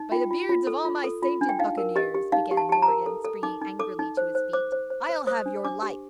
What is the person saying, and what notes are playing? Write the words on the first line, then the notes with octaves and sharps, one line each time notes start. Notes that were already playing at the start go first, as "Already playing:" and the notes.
"By the beards of all my sainted Buccaneers," began Morgan, springing angrily to his feet, "I'll have your life!"
Already playing: D#4
F4 G5
F4
F4
A4
F4
A4
F4
D4
G5
D#4 F5
A#4
G4 D#5
G4
D#4 F5
G4
A5
G4 A5
A#5
A#4
A4
A4
D#4 D6
D#4
A4 D6
D#4
C5
C5
C5 D6
C5
C5
C5
C5 D#6
D4
D4 D6
G4